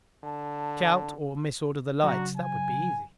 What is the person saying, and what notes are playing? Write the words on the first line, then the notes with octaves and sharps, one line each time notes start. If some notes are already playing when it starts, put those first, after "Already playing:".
Shout, or mis-order the lights. That would be easy.
D3 A5
C#3 F#3 D4 F#4 A#5
G#5